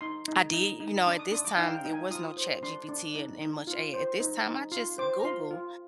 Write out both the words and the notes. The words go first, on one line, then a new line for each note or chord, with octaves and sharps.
I did You know, at this time there was no ChatGPT and and much a at this time, I just Google,
D#4 C6
D#4
D#4
D#4
D4 D6
D#6
D4 D#6
D6
F5
D#4 G5
G5
D#4
G#5
F4 D#6
C5
D4 C6
D4
D#4
D#4
F4
C5
D#4
D#4
F4 C6
C5 D6
A#5
F4 C6
F4